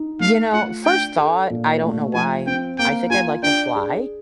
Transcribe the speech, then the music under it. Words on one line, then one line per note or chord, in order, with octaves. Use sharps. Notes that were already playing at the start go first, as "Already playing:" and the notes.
You know, first thought, I don't know why. I think I'd like to fly.
Already playing: D#4
A3 F5
F4 F#5
D4 G5
A4
A#2
A3
F3 G#5
C4 G5
A#3 G5
F4 G#5
D4 G5
G#4